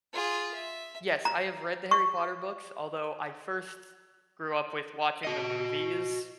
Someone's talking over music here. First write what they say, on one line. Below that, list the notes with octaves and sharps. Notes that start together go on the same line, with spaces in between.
Yes, I have read the Harry Potter books, although I first grew up with watching the movies.
F4 G#4
E5
A#5
C#6
F#4 D#5